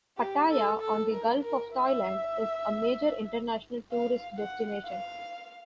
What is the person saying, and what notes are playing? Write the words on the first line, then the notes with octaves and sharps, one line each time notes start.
Pattaya, on the Gulf of Thailand, is a major international tourist destination.
G4
A4
A4
A#4
A#4
E5
F5
F#5
F5